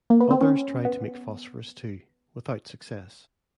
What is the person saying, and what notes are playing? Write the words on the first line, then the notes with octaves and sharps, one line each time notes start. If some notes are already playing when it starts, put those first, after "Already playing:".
Others tried to make phosphorus too, without success.
A#3
B3
C4
C#4
B3